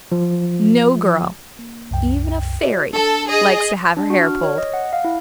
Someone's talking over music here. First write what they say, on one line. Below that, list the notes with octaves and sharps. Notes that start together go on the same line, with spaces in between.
No girl, even a fairy, likes to have her hair pulled.
F3
A#3
C2 F#2 G5
F#4 D5 E5
D4 A4
G#4 D#5
D4
F#4
F6
C#5
D#5
F#5
F5
E4